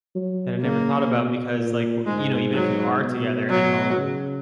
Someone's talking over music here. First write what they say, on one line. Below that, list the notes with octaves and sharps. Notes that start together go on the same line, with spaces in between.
that I never thought about because, like, w you know, even if you are together at home,
F#3
C#3 A#3
B2
A#2
G#2 G#3
F#3
B2
F#3
C#3